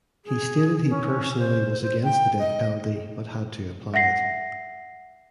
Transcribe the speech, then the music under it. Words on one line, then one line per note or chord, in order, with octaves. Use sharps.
He stated he personally was against the death penalty but had to apply it.
G#4
C#4
C5
C5
G5
D#5
E5 F#5 A#6 C7